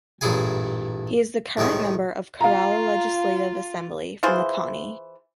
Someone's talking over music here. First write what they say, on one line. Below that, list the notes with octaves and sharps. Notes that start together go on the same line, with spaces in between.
He is the current member of Kerala Legislative Assembly from the Konni.
A1 G2 A#2 E4 G#4 G#5
C2 A2 D#3 G#3 C#4
F4 F5 A#5
E3 F4 G#4 C5